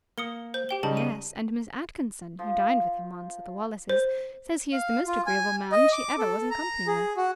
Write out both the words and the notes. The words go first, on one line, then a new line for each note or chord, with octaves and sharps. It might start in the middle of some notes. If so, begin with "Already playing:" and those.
"Yes, and Miss Atkinson, who dined with him once at the Wallises, says he is the most agreeable man she ever was in company with."
A#3 D#6 C#7 G7
C5 G6
G4 G5 G7
C#3 G3 D#4 A5 F#7
D#7
F3
C5
F5
F4
G#5
D#5
D6
A4
A#5
G#4
F#4